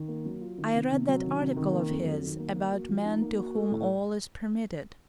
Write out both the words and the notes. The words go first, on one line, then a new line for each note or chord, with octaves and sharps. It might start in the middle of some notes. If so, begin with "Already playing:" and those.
I read that article of his about men to whom all is permitted.
Already playing: D#3
A#3
F#3
F4
D#3
C3
C3
F#3
D#3
C3
D#3
A#3
F2
F#3
D#3
A#3
A#3
F#4
F3
D#4
A#3
F#4
A3
A2